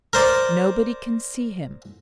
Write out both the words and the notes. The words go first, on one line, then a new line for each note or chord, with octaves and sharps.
Nobody can see him.
A#4 C5 D5